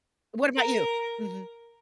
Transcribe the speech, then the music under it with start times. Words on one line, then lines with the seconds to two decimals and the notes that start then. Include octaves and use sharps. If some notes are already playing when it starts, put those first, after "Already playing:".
What about you? Mhm.
0.57 A#4